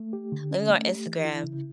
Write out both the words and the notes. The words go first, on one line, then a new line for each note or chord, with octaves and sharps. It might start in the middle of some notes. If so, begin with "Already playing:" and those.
Lemme go on Instagram."
Already playing: A3
G4
D3
C#4
A3
G4
E3
E4
C#3